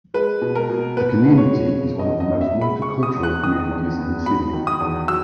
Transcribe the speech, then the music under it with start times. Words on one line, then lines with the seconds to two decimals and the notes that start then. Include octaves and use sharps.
The community is one of the most multi-cultural communities in Sydney.
0.14 G#3 B4
0.42 B2
0.55 A#4
0.70 B2
0.97 B3 B4
1.24 G#3
1.38 C#5
1.51 B2
1.78 C#3
1.99 D#5
2.06 E2
2.20 D#5
2.34 B3
2.41 E5
2.61 G#3 B5
2.82 C#6
2.88 C#3
3.03 D#6
3.16 E2
3.23 F#6
3.43 D#3 D#6
3.71 E2
3.98 B3
4.26 F#3 B5
4.53 D#3
4.67 D#6
4.81 E2
5.08 F#3 E6